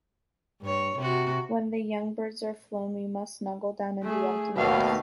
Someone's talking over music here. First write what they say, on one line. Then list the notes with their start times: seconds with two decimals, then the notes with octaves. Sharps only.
When the young birds are flown we must snuggle down in the empty nest.
0.62 G2 C#5
0.97 C3 F#4
4.03 A3 G#4
4.56 D#2 B2 A3 F5